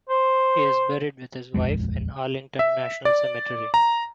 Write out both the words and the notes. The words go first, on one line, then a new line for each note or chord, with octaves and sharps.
He is buried with his wife in Arlington National Cemetery.
C5
D#1 A#1 F2 G#3
E5
D5
A#5